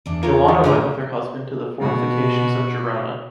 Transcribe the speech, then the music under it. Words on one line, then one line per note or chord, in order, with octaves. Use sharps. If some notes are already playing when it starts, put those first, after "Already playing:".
Joana went with her husband to the fortifications of Girona.
E2 D4
F4 A#4 C#5
D#3 G#3
A2 D3 F3 F4 A#5
B2 F#4